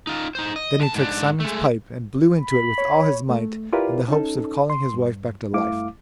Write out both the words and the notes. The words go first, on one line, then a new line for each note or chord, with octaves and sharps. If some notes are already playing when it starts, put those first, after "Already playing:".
Then he took Simon's pipe and blew into it with all his might, in the hopes of calling his wife back to life.
D#4 F4
D#4 C5
D#5
D3 A5
G#2 D4
G#3 A3
B5
C#5
A3
E4 F4 G4 A#4 B4 D5
C#4 D#4 A4
C6
G2
G2 A3 E4 F5 D6